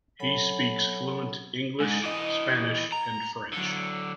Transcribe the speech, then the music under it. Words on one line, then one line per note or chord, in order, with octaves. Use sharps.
He speaks fluent English, Spanish and French.
F#3 A4 C#5 F#5 G#5 B5
G#2
E3 D#5
A#5
D3 F#3